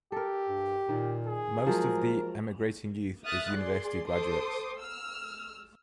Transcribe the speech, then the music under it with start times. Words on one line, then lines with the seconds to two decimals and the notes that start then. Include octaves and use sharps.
Most of the emigrating youth is university graduates.
0.12 G4 A4 A#4
0.48 G2
0.89 A#2 D#3
1.26 G#4
1.66 F3 F#3 G#3 A#4
3.25 E5 D#6 F6 F#6 A6
3.55 G#4 D5 C6
4.09 A4 C5 C6 D6 D#6
4.78 E6 F6